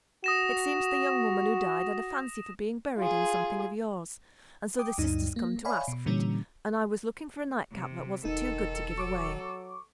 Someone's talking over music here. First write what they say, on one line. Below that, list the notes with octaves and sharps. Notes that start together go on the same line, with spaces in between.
It seems, the young woman who died had a fancy for being buried in something of yours, and so the sister's come to ask for it,--and I was looking for a night-cap that wasn't too good to give away.'
F#4 D#6 A#6 E7
F4 G#4
G5 D6 D#6
D2 G2 D#4
A#3
C#5 D5 E5 F5 G#5 B5
B2
A#2 D3 E3 G3 C#4
C3
E1 D#3 D#4 A4
F#3 C#6 D6